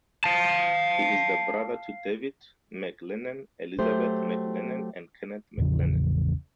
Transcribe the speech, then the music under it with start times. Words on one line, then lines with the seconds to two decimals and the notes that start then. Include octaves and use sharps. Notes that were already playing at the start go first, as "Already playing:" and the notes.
He is the brother to David MacLennan, Elizabeth MacLennan, and Kenneth MacLennan.
0.24 F5 A5
3.79 F#3 A3 G4 C5
5.58 A1 E2 C#3 F3